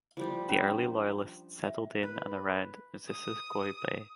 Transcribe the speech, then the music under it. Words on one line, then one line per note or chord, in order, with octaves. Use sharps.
The early loyalists settled in and around Missisquoi Bay.
F3 G3 G4
C#4 D4 A#5
E5
B4
D#6